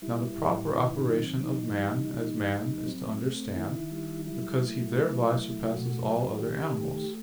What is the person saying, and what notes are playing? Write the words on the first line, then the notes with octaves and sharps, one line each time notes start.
Now the proper operation of man as man is to understand; because he thereby surpasses all other animals.
G3 E4
A2
D#3 E4
D#4
F#3
C4
E3 D#4
D#4
G3
D#4
E3 D#4
G3
F#3 C4
A3
D#3 E4
G3
F#3 E4
A3
F#3
A3
B2 F#4
F#3
D#3 G4
A3